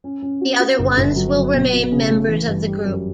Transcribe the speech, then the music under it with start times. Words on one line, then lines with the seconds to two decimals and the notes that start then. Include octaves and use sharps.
The other ones will remain members of the group.
0.04 C#4
0.22 C#4
0.41 F#4
0.60 F#4
0.79 G1
0.98 G1
1.16 F#3
1.35 F#3
1.54 B2
1.73 B2
1.92 C#3
2.10 A3
2.29 E3
2.47 G2
2.66 G3
2.85 F#2